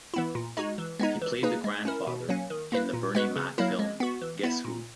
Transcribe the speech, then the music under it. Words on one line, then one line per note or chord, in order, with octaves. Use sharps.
He played the grandfather in the Bernie Mac film "Guess Who".
E3 B3 E4
A#2
G#3 D#4 F#4
E3
G#3 B3 D#4
E3
A#3 D#4 G#4 B4
G#3
C#4 E4 A#4
B2
F#3 A#3 C#4
D#3
A#3 E4 B4
A#2
G#3 B3 F#4 B4
C#3
F#3 A#3 E4 A#4
G#3
B3 F#4
E3
B3 E4
A#2